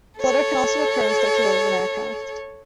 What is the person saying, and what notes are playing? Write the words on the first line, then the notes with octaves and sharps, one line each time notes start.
Flutter can also occur on structures other than aircraft.
A4 C#5